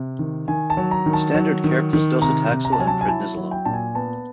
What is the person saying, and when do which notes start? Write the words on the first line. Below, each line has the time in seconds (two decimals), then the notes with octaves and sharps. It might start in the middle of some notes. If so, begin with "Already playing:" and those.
Standard care plus docetaxel and prednisolone.
Already playing: C3
0.19 D#3
0.48 D#3 G#5
0.70 A5
0.77 F#3
0.91 A#5
1.06 D#3
1.13 A5
1.34 F#3
1.64 D#3
1.93 D#3
2.22 C3 A#5
2.50 C3
2.65 A#5
2.72 A5
2.79 F#3 G#5
2.87 A5
3.01 G#5
3.08 E4 A5
3.37 F#3
3.51 G5
3.65 A#2 A5
3.73 G#5
3.95 B3 A5